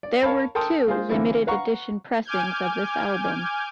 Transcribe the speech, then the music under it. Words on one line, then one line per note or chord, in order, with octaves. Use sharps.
There were two limited-edition pressings of this album.
D5
A#4 C#5 F5 A5 B5
A4 A#4 G5 A5 C6 D#6
A#3 F4 G#4 C5
D3 E3 A#3 C4 E4
B4 F5 F#5 A#5 C#6
G#5 D6 F6 G6 G#6